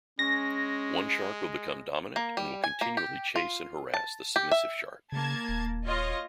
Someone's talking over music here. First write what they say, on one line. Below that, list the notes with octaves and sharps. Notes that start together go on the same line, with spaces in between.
One shark will become dominant and will continually chase and harass the submissive shark.
G#3 C#4 A#6
A#3
G3
G#5
A#3
G4
F4
A5
G4
E5
C#3 A#3 A5 G#6
D#1
F4 C#5 D#5